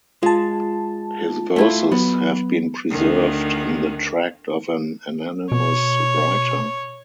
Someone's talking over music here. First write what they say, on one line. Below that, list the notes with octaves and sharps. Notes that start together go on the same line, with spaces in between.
His verses have been preserved in the tract of an anonymous writer.
G#3 F4 A5
A3 E4 F4
F#3 B3
D2 D#3
B2 C#5